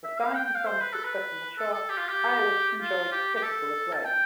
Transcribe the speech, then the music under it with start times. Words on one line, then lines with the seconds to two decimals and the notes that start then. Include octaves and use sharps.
Besides the song's success on the charts, "Iris" enjoyed critical acclaim.
0.04 E5
0.19 F5
0.34 G5
0.45 G5
0.55 F5
0.66 C5
0.81 B4
0.92 A4
1.04 B4
1.58 A4
1.73 A4
1.89 G4
1.98 F4
2.09 G4
2.81 F4
3.12 G4
3.36 G4
3.43 A4
3.93 A5
4.05 G5